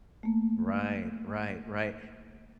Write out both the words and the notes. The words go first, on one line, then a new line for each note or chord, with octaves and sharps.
Right, right, right.
A3 A#3